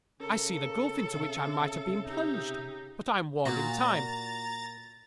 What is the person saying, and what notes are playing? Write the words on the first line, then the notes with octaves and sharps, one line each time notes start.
I see the gulf into which I might have been plunged; but I am warned in time.
C#3 C#4 A4 A#4
C3 E5
D#4 G4
A#2 F#4 A#5 A6